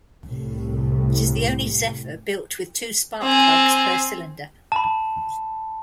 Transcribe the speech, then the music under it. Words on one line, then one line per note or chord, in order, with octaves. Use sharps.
It is the only Zephyr built with two spark plugs per cylinder.
C2 A2
C4 G#5
A5 B5